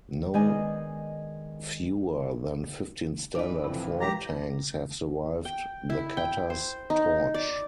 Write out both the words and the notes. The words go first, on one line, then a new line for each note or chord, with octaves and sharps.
No fewer than fifteen Standard Four tanks have survived the cutter's torch.
D#3 G#3 B3 D4 D#5 G#5
E3 D4 B4 D5 D#5
F2 A2 C3 B5
F3 G#3 G4 A#5
G5
E4
G5
C5
D#4
D5